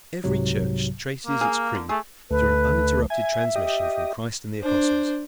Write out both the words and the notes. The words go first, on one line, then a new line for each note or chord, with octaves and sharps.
Every church traces its creed through an uninterrupted transmission from Christ and the Apostles.
C2 G#2 C3 F#3
A#3
G#4 F5
D3
A3 G#4
D2 A3 B4
E5 G#5
G4 D#5
D4 C5